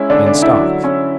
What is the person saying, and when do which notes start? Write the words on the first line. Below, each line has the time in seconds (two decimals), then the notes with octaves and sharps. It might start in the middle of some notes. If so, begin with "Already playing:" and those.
"In stock?"
Already playing: G#3 C#4 E4
0.10 D3 D4
0.26 D4
0.35 D3
0.42 E4
0.59 F#3
0.84 C#4